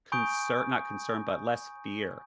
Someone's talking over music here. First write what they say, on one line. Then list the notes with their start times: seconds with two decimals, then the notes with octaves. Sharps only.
concer not concern, but less fear
0.12 G#5 B5 C#6 D#6 G6 D7